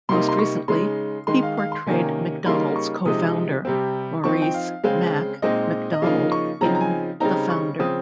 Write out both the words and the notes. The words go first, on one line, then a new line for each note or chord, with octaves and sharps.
Most recently, he portrayed McDonald's co-founder Maurice "Mac" McDonald in "The Founder".
C3 G3 A#3 D#4 C6
C6
C#6
C#3 G#3 D#4 C6
D#3 G#3 D#4 C6
F5
F5
C6
C3 D#3 A#3 C#4 G#5
C#3 G3 A#3 D#4 C6
C#6
C3 F3 G#3 D#4 D#6
C3 G3 C4
F3 C4 D#4 C#6
G5
F5
C#3 G#3 C4 F5
A#2 G#3 C4 D#4 D#5
D#5
C#3 F3 A#3 D#4 F5
C#6
C#3 F3 C4 D#4 A#5
A#5
G#5
C#3 G3 C4 D#4 A#5
C#6
C#3 F3 C4 D#6